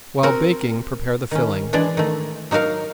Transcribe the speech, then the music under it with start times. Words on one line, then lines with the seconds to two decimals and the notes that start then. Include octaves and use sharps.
While baking prepare the filling.
0.23 C4 F#4 A#4
1.31 D#3 C#4
1.73 E3 G#3 D4 D5
1.97 D#3 A3
2.51 F#3 D#4 F#4 A#4 F5